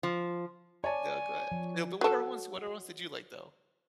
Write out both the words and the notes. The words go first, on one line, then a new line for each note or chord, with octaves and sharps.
No, go ahead. Yeah, but what other ones what other ones did you like, though?
F3
C#5 D5 G#5 A5
F3
F#3 A4